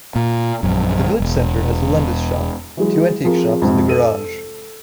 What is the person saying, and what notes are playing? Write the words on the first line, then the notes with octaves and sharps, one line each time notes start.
The village centre has a Londis shop, two antiques shops and a garage.
A#2
A#1 F#2
E1
E3 F#3 G#3
F3 C4 F4 G#4 A#4
F2 G#2 C3
A4 D#7